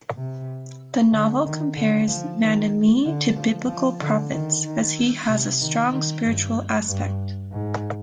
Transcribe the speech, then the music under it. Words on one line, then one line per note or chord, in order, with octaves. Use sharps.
The novel compares Vanamee to biblical prophets, as he has a strong spiritual aspect.
C3
D3
D#3
D3
F3
D#3
D3
F3
F3
D3
D#3
D#3
C3
D#3
D#3
G2
G2
G#2